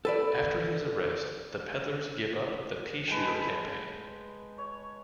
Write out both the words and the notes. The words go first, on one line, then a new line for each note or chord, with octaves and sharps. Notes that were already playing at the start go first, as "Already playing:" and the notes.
After his arrest, the peddlers give up the Pea-Shooter Campaign.
A4 B4 D5
G#3 B4 G5 A5
C#5